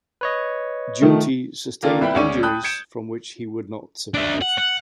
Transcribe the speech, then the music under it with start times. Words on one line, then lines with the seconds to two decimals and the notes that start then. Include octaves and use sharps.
Giunti sustained injuries from which he would not survive.
0.21 B4 C#5 D#5
1.02 D#3 F3 A3
1.83 D#3 A#3 F4 A4 D5
2.01 C2 E4 B4 G5
2.15 D2 G#3 C#4 D5 C#6 D#7
2.43 G5 A5 B5 D#6 F#6 G6
2.63 G6 G#6 C#7 D7 E7
4.14 D4 E5
4.41 F#5
4.58 F#5